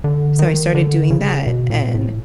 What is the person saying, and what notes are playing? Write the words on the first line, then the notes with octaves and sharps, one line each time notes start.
So I started doing that, and
D3
D#3
D3
C#3
B2
A#2
A2